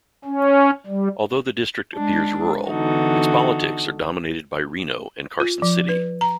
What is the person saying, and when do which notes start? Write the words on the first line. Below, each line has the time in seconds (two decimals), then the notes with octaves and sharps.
Although the district appears rural, its politics are dominated by Reno and Carson City.
0.25 C#4
0.86 G3
1.95 G#3 D4
2.69 D3 E3 B3 D#4 F#4 A4
5.40 F4
5.62 F3
5.89 B4
6.21 A#5